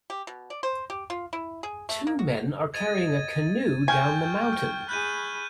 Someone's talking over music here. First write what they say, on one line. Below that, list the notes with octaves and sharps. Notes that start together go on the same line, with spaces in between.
Two men are carrying a canoe down the mountain.
G4
B2
D5
C5
G4
F4
E4
G#4
A3
A#3
F#4
D#5 G#6 A6 D#7
G5 G#5 C#6 F6 G6
F6
G#4 B5 F#6 G6 D#7